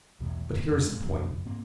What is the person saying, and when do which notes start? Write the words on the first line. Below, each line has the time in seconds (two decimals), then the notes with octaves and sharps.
But here is the point.
0.20 B1 E2 A2
0.50 E2 A#2 C#3
0.64 A1 F2
0.86 A#2 G#3
1.04 F#1 B1 F2 F3
1.45 G#2 A#3 C4